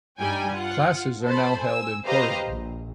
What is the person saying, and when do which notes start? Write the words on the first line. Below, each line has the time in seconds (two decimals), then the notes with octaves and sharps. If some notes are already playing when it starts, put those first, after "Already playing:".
Classes are now held in Corydon.
0.19 G2 G3 D#4 G5 G#5
0.53 F4 F#5
1.24 A4 C5 A5 B5
1.62 G#5 E6
2.06 G4 B4 C5 D#5 F5 A#5
2.46 A#1